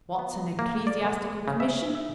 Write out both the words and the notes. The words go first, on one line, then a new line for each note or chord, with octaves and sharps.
What's an Ecclesiastical Commission?
B3
A#3
D5
B3
C#3
E5
E5